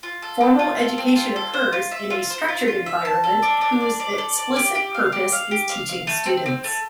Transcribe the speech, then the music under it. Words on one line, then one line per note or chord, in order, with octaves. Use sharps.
Formal education occurs in a structured environment whose explicit purpose is teaching students.
F4
A4
C4
F4
A4
C4
F4
A4
C5
F4
E5
F4
C5
F4
F4
E5
A5
A4
D4
D4
D5
D5
A4
D5
G4
G4
F5
G4
F5
G4
F5
F5
A3
C4
C4
A3